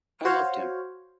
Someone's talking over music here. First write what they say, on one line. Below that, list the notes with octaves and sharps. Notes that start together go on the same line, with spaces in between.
I loved him.
F#4 C5 C#5 F5